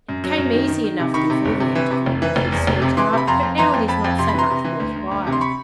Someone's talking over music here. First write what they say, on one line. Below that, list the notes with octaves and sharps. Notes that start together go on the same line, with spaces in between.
It came easy enough before the interview with his sweetheart, but now it is not so much worth while.
F#2
F#3
F#2
D#3
D#3
D#3
C3
D#3 B5 C#6
C3
G1
C3
E3
C3
F1
E3
F1
E2
F1
C3
E3 C6 D6
C3 B5
F2 A#5 C6
F2
E3 A#5 C6
F2
F2 A5 B5
F2
C3 C6
B5
E3 A#5 C6
C3
E3
D2
D2
D2
C3
C6
B5 C#6